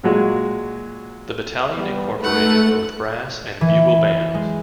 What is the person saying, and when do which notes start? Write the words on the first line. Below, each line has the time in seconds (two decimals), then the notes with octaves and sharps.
The battalion incorporated both brass and bugle bands.
0.03 A#2 F#3 G#3 F#4
1.75 G3 B3
2.21 G#2 A3 D#4 A4 B4 F#5
3.61 E3
4.35 G#3